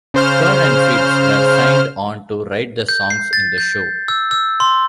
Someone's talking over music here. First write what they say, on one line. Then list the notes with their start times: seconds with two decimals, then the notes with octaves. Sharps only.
Kern and Fields were signed on to write the songs in the show.
0.14 C#3 C5 F6
2.89 G6
3.10 C7
3.33 A6
3.58 G6
4.08 E6
4.31 E6
4.60 C6